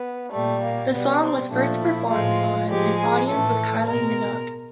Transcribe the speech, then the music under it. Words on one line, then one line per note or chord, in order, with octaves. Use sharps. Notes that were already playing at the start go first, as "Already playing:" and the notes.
The song was first performed on "An Audience With Kylie Minogue".
Already playing: B3
A#2 G3 A3
A#3
B2 G3 B3
C4
A#2 F3 A3 D4
E4
A2 F3 G#3 F4
A2 F3 G#3 G4
G#4
A2 E3 A3 A4
B2 G#3 A#4